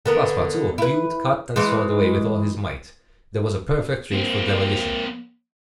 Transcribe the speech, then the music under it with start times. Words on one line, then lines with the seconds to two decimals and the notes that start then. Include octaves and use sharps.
Passepartout hewed, cut, and sawed away with all his might. There was a perfect rage for demolition.
0.06 D3 B3 A#4
0.78 E4 B4
1.56 E3 G#3
4.12 A#3 C4